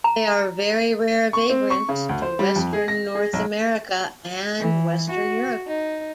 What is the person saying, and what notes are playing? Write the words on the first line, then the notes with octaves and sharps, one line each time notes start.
They are very rare vagrants to western North America and western Europe.
A#5
C#6
C4
C#6
C#3
D2
C5
G3
F2
G#4
A#6
G#4
B1
E3
F#4
D#4